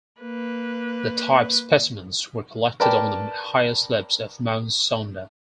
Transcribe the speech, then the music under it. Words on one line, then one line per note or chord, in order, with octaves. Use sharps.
The type specimens were collected on the "higher slopes of Mount Sonder".
A#3 B4
A#4 B4 D5 G5 A5